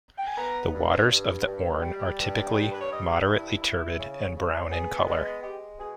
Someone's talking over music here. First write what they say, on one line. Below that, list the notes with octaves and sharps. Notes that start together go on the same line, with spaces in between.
The waters of the Orne are typically moderately turbid and brown in colour.
G5
G#5
B3 A#5
G2
G2
G2
G3
G2
G3 G5
B4
C#5
G2 D#5
E4
E4
C#3
C#3
B3 G#4
G#3
G#3 G4
B2 G#4